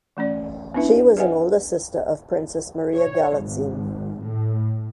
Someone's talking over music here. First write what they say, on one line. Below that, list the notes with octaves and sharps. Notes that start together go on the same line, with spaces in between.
She was an older sister of Princess Maria Galitzine.
E3 A3 C#4 D5
B3 C#4 D4 E4 B4 E5
G#4 B4 D#5 E5 F#5 G#5
C#5
G#1
A2